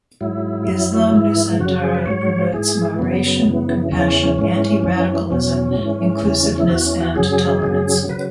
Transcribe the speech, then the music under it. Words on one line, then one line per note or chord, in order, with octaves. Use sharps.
Islam Nusantara promotes moderation, compassion, anti-radicalism, inclusiveness and tolerance.
G#2 F#3 E4
F#2 F#3
G#2 E3
F#2 C#3 F#3 F#4
F#4
G#4
B4
G#2 F#3 C#5
G#2 E3 G#4
F#2 C#3 F#3 B3
F#2 C#3 E3
E2 C#3 E3 C#4
G#2 E3
F#2 E3
E2 B2 F#3 C#4
G#2 E3
E2 C#3 E3
C#4
E4
E2 E3 F#4
C#4
F#4
F#2 C#3 F#3 G#4
F#2 C#3 F#3
C#3 F#3 B4